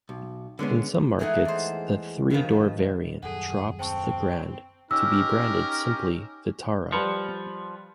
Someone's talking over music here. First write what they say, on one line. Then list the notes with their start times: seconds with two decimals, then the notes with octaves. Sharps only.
In some markets the three-door variant drops the "Grand" to be branded simply "Vitara".
0.09 B1
0.59 D3 G#3 B3 C#4
1.19 E3 G#3 A3 D#4 F#5
1.45 E2 C5
2.30 G2 B2 D#3 F3
3.23 D#1 F#2 G3 G#4 A4 F#5
3.79 C4 C5 G5 A5 C#6
4.91 C#4 D#4 G4 A#4 E6
6.92 F3 G3 B4 C#7